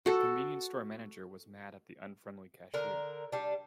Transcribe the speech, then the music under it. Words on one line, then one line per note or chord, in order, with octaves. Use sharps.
The convenience store manager was mad at the unfriendly cashier.
F#4 A4
D3 A#4
G3 D4